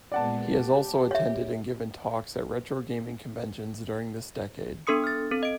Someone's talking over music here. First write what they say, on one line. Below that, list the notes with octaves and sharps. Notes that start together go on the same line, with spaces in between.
He has also attended and given talks at retrogaming conventions during this decade.
A#2 G#3 B3 D5 F#5 A5
G4
C#5 E5
B3 D4 A4 C6 D#6 C#7
F6 A6
C4 A4
D#5 D7